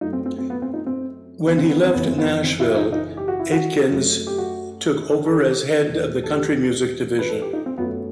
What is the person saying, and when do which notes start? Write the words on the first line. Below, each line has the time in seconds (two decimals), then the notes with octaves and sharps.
When he left Nashville, Atkins took over as head of the country music division.
0.01 F#2 F#3 A3 D#4
0.13 C4
0.26 C4
0.38 C4
0.50 B3
0.62 C4
0.74 D#4
0.86 C4
1.47 B3
1.58 C4
1.70 B3
1.83 C4
1.93 F#1 F#2 E3 B3
2.06 C4
2.18 B3
2.44 C4
2.60 E4
2.70 E4
2.77 D#4
2.92 D#4
3.17 G4
3.28 F#4
3.39 E4
3.52 F#4
3.90 F#2 F#3 A3
4.27 G4
4.38 F#4
5.26 A4
5.35 G4
5.83 E2 D#3 F#3 A3
6.24 A4
6.33 G4
7.19 B4
7.29 A4
7.42 G4
7.53 D#4
7.66 C4
7.77 F#2 F#3 A3 B3